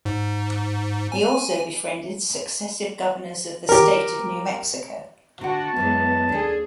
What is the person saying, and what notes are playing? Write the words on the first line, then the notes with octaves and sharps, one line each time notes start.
He also befriended successive governors of the state of New Mexico.
G#2
G#5
G4 A#4
D3 F#4 F#5 A5
F#2 E3 G#3 B3
D#2 D4 G#4 A4